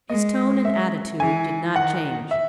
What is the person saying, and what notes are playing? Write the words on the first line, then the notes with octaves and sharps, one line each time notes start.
His tone and attitude did not change.
G#3 D#5
E5
E3 G#5
D#3 F#5
E5